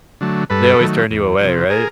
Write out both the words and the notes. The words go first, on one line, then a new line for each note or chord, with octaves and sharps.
They always turn you away, right?
D3 F#3 A3
G2 A4 B4
D#3 F#3 A3
E2
C3 F3
G#4 A#4